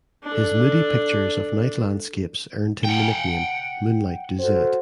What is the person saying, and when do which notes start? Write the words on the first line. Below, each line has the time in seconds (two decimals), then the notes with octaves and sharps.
His moody pictures of night landscapes earned him the nickname "Moonlight Douzette".
0.24 D4 A4
2.84 F#5 G5
4.39 F#4 A4 C5